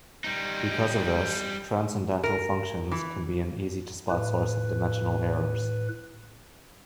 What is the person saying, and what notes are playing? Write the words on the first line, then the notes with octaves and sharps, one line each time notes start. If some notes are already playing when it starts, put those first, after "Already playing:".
Because of this, transcendental functions can be an easy-to-spot source of dimensional errors.
G3 D#4
A#4
E3
A2 B4